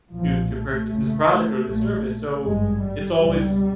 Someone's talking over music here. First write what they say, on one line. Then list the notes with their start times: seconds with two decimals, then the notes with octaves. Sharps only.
to to purchase this product or this service. So, it's always
0.13 B1 A#2 F3
0.52 A3
0.90 F#1 F#2 C#3
1.68 A#1 A#2
2.43 G#1 G2 G#3
2.82 G3
3.20 C#2 B2